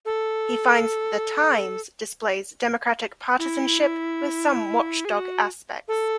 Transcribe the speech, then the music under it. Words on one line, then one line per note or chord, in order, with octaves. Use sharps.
He finds that the "Times" displays Democratic partisanship, with some watchdog aspects.
A4
E4
G#4
F#4
A4